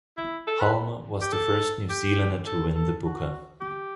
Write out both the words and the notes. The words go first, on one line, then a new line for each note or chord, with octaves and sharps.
Hulme was the first New Zealander to win the Booker.
E4
A4
B4
G4
A4
G4
A4
A4
F#4
G4